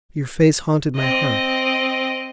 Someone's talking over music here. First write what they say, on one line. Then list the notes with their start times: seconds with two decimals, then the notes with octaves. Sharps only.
Your face haunted my heart.
0.96 C4 D#5